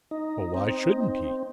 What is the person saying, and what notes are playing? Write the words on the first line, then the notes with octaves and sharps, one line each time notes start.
"Why shouldn't he?"
D#4
C4